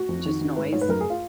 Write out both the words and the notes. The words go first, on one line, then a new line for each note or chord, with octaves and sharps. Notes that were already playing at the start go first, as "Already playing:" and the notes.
just, noise,
Already playing: F#4
F2
D#3
D#3
G#2 B4
G#2 C#5
B4
F#2 A#4
G#4
F4